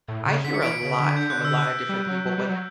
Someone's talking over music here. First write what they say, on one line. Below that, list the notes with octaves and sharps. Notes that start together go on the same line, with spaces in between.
I hear a lot from a lotta different people, but
A2
C#3
D3 B6
C#7
E3 D7
C#7
C#3
D3
G6
F#6
E6
F#6
G3
F#3
F#3
G3
F#3